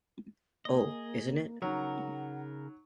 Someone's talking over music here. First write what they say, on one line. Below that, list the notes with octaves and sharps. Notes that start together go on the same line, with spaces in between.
Oh, isn't it!
A#3 G#4 D#5
C#3 F#3 D#4 A#4 F#5